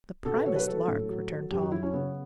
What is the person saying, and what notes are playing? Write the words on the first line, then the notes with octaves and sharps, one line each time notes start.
"The primest lark," returned Tom.
B2 A4
B4
F#3 C#5
B4
F#3 A4
A2
F#3
F#3
F#2 G4
F#4
F#3 E4
C#4
C#3 B3